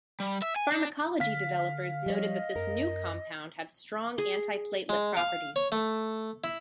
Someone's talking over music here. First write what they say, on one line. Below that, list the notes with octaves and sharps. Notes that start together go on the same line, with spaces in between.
Pharmacology developers noted that this new compound had strong anti-platelet properties.
G3
E5
G#5
D4
D3 F5 B6
F3 G3 C#5 D#5
F#2 A#4
G#4
G#3
F5
C#5
A3
E4